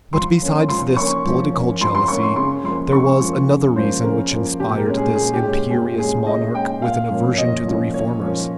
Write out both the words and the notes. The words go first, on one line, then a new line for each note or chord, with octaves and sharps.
But besides this political jealousy, there was another reason which inspired this imperious monarch with an aversion to the reformers.
F3 C6
A#3 C#4
F3 C6
A#3 C#4 C#6
F3
A#3 C#4
F3 C6
C6
A#3 C#4 C#6
C6
C#3 C6
F3 A#3 C6
C#3 C#6
F3 A#3
C#3
F3 A#3 C5
C#3 A#4
F3 A#3
A#2 G4
A#4
G#3 C#4
G#4
A#2 G#4
G4
G#3 C#4
A#2 G4
G#3 C#4 G#4
A#2 D#5
G#3 C#4 G5
A#2 F5
F3 A#3 C#4
C#5
A#2 D#5
F3 A#3 C#4
A#2 C#5
F3 A#3 C#4